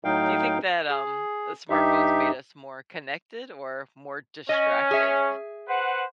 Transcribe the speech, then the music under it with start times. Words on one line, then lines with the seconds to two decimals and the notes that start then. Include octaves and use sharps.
Do you think that, um, uh, smartphones made us more connected or more distracted?
0.05 A2 F#3 D#4 F5 G5
0.89 G#4
1.70 G2 D#4 G4 E5
4.49 C#4 D#5
4.91 G#4 E5
5.68 B4 C5 F#5